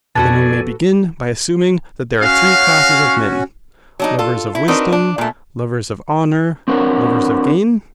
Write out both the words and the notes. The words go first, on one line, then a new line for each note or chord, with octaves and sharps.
Then we may begin by assuming that there are three classes of men--lovers of wisdom, lovers of honour, lovers of gain?
F2 B2 D#4 F#4 A4 B4 D5 G#5
C#4 F#4 F5
F#3 D4 D#4
F4 A4
E4
C4 D4 D#4 F#4 A#4 B4
D4
A#2 A3
C4 D4 F#4 A#4 C5 C#5